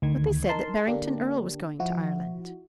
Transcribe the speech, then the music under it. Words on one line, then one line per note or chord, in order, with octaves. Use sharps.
"But they said that Barrington Erle was going to Ireland."
D2 D#3 G#6
D#4 A#4 A5 C6
D3 A#3 D4 G4
F3 E4 F#4